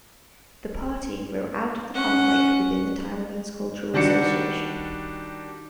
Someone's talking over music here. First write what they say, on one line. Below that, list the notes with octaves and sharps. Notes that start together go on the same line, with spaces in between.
The party grew out of the conflict within the Taiwanese Cultural Association.
C#4 F#5
D#3 G3 D4 F#4 C#7